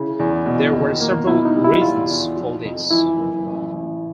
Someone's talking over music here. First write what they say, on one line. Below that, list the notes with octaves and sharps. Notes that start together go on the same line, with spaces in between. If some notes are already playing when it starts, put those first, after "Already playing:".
There were several reasons for this.
Already playing: C#3 E4
E2
B2
D#2
A#3
B2 E4
D#4
G3
E4
E2 F4
E2
F3
F2
E3 E4
F#1
A1
A1